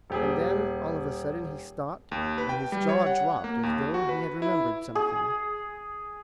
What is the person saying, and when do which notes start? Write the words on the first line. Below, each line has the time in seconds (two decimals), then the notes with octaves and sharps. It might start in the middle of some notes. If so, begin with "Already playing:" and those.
And then, all of a sudden, he stopped, and his jaw dropped as though he had remembered something.
0.10 D#1 G4 G#4
2.12 D#2
2.38 B4
2.49 G5
2.72 G3
2.89 C#5
3.06 F#5
3.44 A#3
3.63 D#2
3.94 F#4
4.09 B4
4.42 E4
4.95 G#4